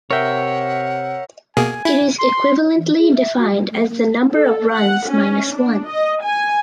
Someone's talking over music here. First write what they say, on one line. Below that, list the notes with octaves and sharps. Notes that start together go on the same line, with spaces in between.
It is equivalently defined as the number of runs minus one.
C3 A#4 C#5 E5 F#5 G5
B2 A#3 G#4 G#5
E4
C6
E3
G#4
E5
F#4
G3
A3
A#3
A4
F#5
C#4
D4
D#5
G#5